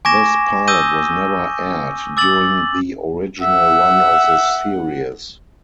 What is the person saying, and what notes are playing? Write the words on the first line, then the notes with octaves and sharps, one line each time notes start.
This pilot was never aired during the original run of the series.
G#5 C#6 D6 G#6 A#6 E7
D#6 E6 G6 A#6 D#7 G7
D6 E6 A6 F#7
E5 F#5